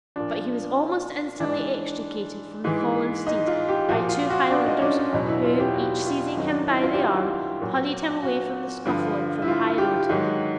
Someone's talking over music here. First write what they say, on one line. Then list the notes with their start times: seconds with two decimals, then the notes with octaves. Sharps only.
But he was almost instantly extricated from the fallen steed by two Highlanders, who, each seizing him by the arm, hurried him away from the scuffle and from the highroad.
0.16 A#2 F3 D4
1.40 G#2 E3 D4
2.64 G#2 E3
3.27 D#4
3.48 F4
3.68 G4
3.89 F3 F#4
3.92 A#2
4.09 F4
4.30 F#4
4.51 D4
4.66 D#4
4.78 C#4
4.82 D4
4.98 D#4
5.13 E2 B2 F#3 D#4
5.28 E4
5.44 F4
5.60 G4
5.75 F#4
6.06 F4
6.37 F#2 D#3 F#3 D#4
6.48 D4
6.53 D#4
6.68 E4
6.83 F4
6.94 G4
6.99 F#4
7.61 A#2 F#3
8.23 F#4
8.85 G2 D3 F3
9.42 E4
9.48 F4
9.78 G4
10.09 G#2 D#3 F#3